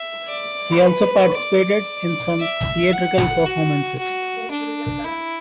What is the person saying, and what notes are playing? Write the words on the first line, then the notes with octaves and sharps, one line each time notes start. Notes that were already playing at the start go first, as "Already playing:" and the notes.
He also participated in some theatrical performances.
Already playing: E5
D5
B4
D5
E5
F#5
F#4
F#4
D4
E4